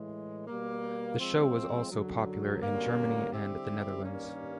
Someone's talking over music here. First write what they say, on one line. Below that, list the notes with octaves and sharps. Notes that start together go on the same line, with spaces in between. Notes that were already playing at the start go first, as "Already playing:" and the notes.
The show was also popular in Germany and the Netherlands.
Already playing: A2 E3 G#3
B2 G3 A#3
F3 G#3 C4
F#2 D3 F#3
F#2 D3 G3 A#3
D3 G3 C4 E4 G4
G2 D#3 G3 A#3 C#4